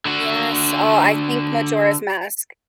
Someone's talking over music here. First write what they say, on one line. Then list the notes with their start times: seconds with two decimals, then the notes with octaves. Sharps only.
Yes, oh, I think Majora's Mask.
0.05 D3 F#4